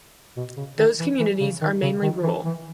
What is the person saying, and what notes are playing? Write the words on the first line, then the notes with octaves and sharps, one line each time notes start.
Those communities are mainly rural.
B2
C#3
D#3
E3
E3
C#3
D#3
C#3
D#3
E3
E3